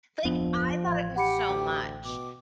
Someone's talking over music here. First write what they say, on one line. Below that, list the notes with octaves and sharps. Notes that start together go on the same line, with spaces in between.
Like, I thought it was so much,
D1 F2 F3 B3 D4
A1 F5 G#6
G4 F#5 B5 D6 C#7
D2 G5
B2 D6